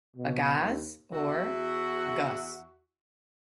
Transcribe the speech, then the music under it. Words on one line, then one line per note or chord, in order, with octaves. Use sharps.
"Ughaz" or "Ugas".
B2
D#2
E2 E4 F#4